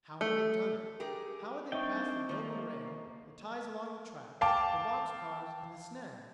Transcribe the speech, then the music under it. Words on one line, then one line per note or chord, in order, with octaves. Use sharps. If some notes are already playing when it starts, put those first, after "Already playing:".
How had they done it? How had they passed the broken rail, the ties along the track, the box-cars and the snag?
A3
G4 G#4 A#4
C4 D4 D#4 D#5 E5 G5 C#6
D#3 F3 A#3
F5 G5 A5 D6